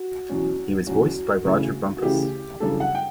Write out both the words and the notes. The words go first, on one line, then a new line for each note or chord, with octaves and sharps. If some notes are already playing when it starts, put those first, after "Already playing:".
He was voiced by Rodger Bumpass.
Already playing: F#4
E2 B2 F#3 C#4
E2 B2 F#3 C#4 F#4
C#3 E3 A3
F#4
C#3 E3 A3 G4
F#2 C#3 E3 G3 D4 A4
F#5
G5